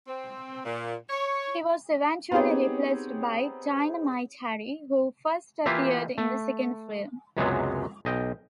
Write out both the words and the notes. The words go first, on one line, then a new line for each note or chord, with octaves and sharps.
He was eventually replaced by "Dynamit-Harry" who first appeared in the second film.
C4
A#2
C#5
B3 C4 D#4 G4 G#4 C#5
E3 A#3 E4 F4 G4 B4
A3
C#2 F#2 C3 F#3 G#3 B3
B1 D#5 G5